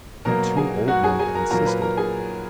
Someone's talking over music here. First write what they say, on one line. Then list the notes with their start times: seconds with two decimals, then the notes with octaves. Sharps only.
The two old men had insisted.
0.25 B2 F#3 A#3 A#4 A#5
0.57 G#4 G#5
0.88 F#4 F#5
1.03 G#4 G#5
1.19 G#4 G#5
1.35 A#4 A#5
1.51 A#2 F#3 A#3 A#4 A#5
1.66 B4 B5
1.82 A#4 A#5
1.97 G#4 G#5